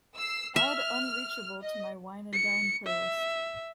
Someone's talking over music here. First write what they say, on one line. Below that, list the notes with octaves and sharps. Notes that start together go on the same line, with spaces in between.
Add unreachable to my wine & dine playlist.
E6 C7
E5 F6
D#5
C#7
E5